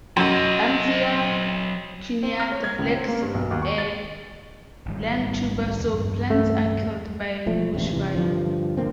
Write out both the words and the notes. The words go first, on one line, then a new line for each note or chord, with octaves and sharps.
"Banksia cuneata" lacks a lignotuber, so plants are killed by bushfire.
F#2 F#3 D#5
C4
F6
C#5
G#6
C#2
C4
A#3
G2
B1
D#2
C#6
A6
G#1 D#3 G3
E2 G2
A3
E1 F3 A3
E1 A1 G2
C3 E3
G2 D3 F3
E1 D3 A#3 C4